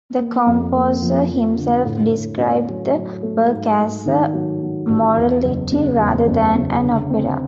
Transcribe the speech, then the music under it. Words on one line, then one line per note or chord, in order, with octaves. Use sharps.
The composer himself described the work as a 'Morality' rather than an opera.
A#3
F2
A#3
F3
F3
D3
A2
A2
C#4
F#3
F#3
A3
G#2
G#2
D#3
F#3
F#3
A1
E2
F#1
C#3
E2
F#1
C#3
D3
C4